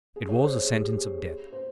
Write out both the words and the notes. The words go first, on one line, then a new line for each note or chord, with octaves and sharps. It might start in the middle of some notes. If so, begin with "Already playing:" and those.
It was a sentence of death.
G#4
C#5
C5
G#4
G4
G#4
C5